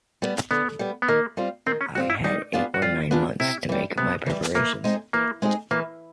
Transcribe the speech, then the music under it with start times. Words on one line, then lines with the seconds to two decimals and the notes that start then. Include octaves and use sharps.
I had eight or nine months to make my preparations.
0.22 G3 B3
0.51 D3 B3
0.79 G3 B3
1.02 B3
1.08 D#3 A#3
1.37 G3 C4 F4
1.66 D#3 C4
1.81 C#4
1.95 G3 C4 F4 F#4
2.10 E4
2.24 G3 D#4
2.53 B3 D4 F4 G#4
2.74 F#4
2.82 G3 F4
3.11 B3 D4 F4 G#4
3.40 C3 E4
3.69 E3 G3
3.97 C3 B3
4.26 E3 G3
4.55 E3 A#3
4.84 G#3 C4 D#4 G#4
5.13 E3 A#3
5.42 G#3 C4 D#4 G#4
5.71 E3 A#3